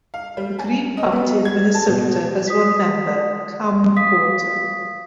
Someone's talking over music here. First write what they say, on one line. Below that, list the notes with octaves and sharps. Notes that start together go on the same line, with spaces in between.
The Green Party of Minnesota has one member, Cam Gordon.
F5
G3
G#5
D#5
B3
G#6
A5
B2
D#6 B6
F5 D#6 B6